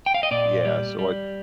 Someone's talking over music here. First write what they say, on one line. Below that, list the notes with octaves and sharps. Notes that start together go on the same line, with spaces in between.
yeah, so I
G5
F5
D#5
A#2 D5
G3
G3